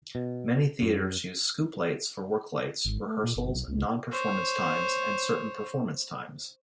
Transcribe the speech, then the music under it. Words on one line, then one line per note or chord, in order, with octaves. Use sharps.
Many theaters use scoop lights for worklights, rehearsals, non-performance times, and certain performance times.
B2
F#2
G#1
A3
A#2
G1
B1
C#2
C5 C#5